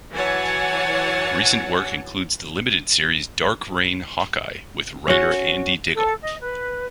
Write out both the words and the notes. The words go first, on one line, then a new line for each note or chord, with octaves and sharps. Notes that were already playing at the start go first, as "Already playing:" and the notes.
Recent work includes the limited series "Dark Reign: Hawkeye", with writer Andy Diggle.
E3 F#3 C#5 F#5 G#5 A5
C#4 F#4
A4
D#5
B4